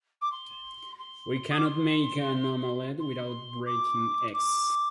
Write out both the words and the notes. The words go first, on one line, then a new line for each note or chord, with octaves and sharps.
We cannot make an omelette without breaking eggs.
D6
C6
C6
D#6
D6
C6
C6
D6
D6